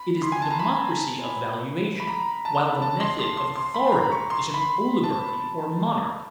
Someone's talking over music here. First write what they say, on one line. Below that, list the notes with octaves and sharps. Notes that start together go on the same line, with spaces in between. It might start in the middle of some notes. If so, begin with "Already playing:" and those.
It is the democracy of valuation, while the method of authority is an oligarchy or monarchy.
Already playing: B5
C6
G#5
A5
A#5
B5
B5
A#5
A5
A5
C6
C6
C6
C6
B5
A#5
C#6
C6
B5
A5